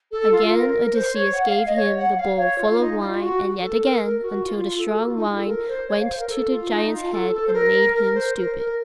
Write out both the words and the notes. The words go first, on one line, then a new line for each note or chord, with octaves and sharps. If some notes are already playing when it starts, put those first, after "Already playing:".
Again Odysseus gave him the bowl full of wine, and yet again, until the strong wine went to the giant's head and made him stupid.
A4
F4
A#4
C5
C#5
F#5
F5
F5
D#5
C#5
F#5
F5
C#5
F4
D#4
F4
F4
F#4
A4
A#4
A#4
F#4
F4
F4
A4
F#4
F4
D#4
F4
A4
A#4
C5
C#5
F5
C5
A#4
A4
F4
D#4
F4
A4
A4
C5
A#4
A#4
C5
A#4
A#4